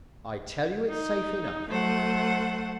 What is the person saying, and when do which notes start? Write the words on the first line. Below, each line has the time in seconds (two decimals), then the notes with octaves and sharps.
I tell you it's safe enough.
0.88 D#4
1.69 F#3 A3 C5 F#5